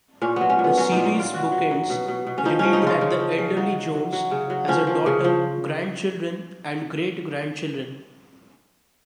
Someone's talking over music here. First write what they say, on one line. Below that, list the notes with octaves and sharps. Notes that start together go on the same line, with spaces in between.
The series' bookends revealed that the elderly Jones has a daughter, grandchildren, and great-grandchildren.
A#2 C#4
F#3 B3
C#4
A#2
B3
F#3 C#4
A#2 D#4
D#4
A#2
F4
B2 F#4
F#3
F#3
B2
B2
B2
C#4
F3 D#4
F3 C#4
D#4
C#3 F4
C#3
F3
C#3
F#3 D#4
F#3
F#3
F#3
C#3
F#3
F3 C#4
F3
C#3
F3